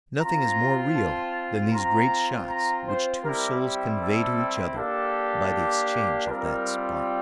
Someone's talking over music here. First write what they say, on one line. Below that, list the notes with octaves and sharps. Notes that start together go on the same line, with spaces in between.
Nothing is more real than these great shocks which two souls convey to each other by the exchange of that spark.
C4 F4 A#5
A5
C4 F4 A#5
A#5
C5
G3 C4 E4 G4 A#4
G4
A4
A#3 D4 G4 A4
G3 C4 F4 A#4